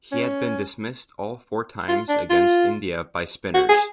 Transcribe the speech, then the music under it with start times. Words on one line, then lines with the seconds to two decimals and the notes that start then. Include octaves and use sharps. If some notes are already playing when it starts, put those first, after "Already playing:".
He had been dismissed all four times against India by spinners.
0.12 C#4
1.89 F4
2.09 D4
2.30 F4
3.54 F#4
3.69 G#4